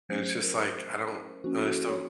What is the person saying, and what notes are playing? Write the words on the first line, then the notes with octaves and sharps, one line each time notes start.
and it's just like, I don't I just don't
F#3 A3 C#4 C5
A#4
F3 A#3 C#4 F#4
F#4
A4
C#5